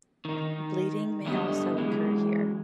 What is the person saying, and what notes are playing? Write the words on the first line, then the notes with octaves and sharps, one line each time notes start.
Bleeding may also occur here.
D#3 D#4
G2 D3 A3 B3 G4 D#5
F#2 E3 G#3